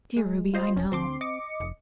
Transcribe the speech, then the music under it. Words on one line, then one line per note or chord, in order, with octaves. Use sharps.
"Dear Ruby, I know."
G#3
F4 C5 D#5
E1 C#4
D2 C4 C6 D6
D#5 D6 C#7
F1